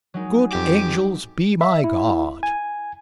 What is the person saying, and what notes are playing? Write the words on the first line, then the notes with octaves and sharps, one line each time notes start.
Good angels be my guard!
F#3 G#3 D#4
F2 G4 D6
E5
E4
G#5